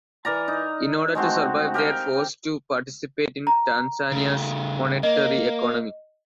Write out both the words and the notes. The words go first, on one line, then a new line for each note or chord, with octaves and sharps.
In order to survive they are forced to participate in Tanzania's monetary economy.
E3 A#4 D5 A#5
D#4
G#3 A3 C4 F#4
G4 A#4 F5 G5
A#5
C#3 A3
A#3 D#5